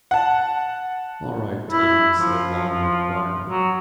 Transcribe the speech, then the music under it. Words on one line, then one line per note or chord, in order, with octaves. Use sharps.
"All right, Tom," said Longley quietly.
F#5 A5
E4
F3
F#3